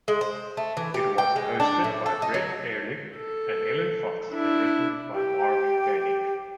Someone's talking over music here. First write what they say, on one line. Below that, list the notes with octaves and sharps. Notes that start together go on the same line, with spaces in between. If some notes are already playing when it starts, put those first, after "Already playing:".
It was hosted by Brett Erlich and Ellen Fox and written by Mark Ganek.
G#3
C5
A3
E3
G4
G5
G#3
D4
A2
A4
D#4
F#3
A4
D4 E4
G4 G5